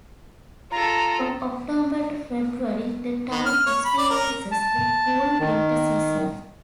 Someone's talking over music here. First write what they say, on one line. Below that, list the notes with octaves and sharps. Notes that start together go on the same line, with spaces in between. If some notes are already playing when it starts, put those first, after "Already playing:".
From October to February, the town experiences the cool winter season.
F4 A4 A#5
D#3
F6
C#5
B5
D5
A#4
A5
D#3